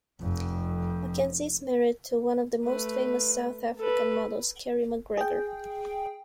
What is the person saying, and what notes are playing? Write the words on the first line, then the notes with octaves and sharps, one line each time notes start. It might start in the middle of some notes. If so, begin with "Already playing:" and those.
McKenzie is married to one of the most famous South African models, Kerry McGregor.
F1 F2
A3 B4
A4 B4
G#4 G5